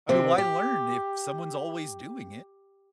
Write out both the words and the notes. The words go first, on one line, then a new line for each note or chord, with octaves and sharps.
I mean, why learn if someone's always doing it?
C3 C4
G4